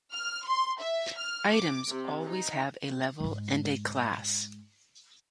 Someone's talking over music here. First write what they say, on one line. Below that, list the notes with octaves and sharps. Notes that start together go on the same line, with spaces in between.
Items always have a level and a class.
F6
C6
E5
F6
D6
C3
D#4
G#2 G#3